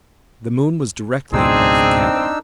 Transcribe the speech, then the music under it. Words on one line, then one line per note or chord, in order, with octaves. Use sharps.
The moon was directly above the cabin.
C#2 G#2 B2 C4 D4 D#4 G#4 E6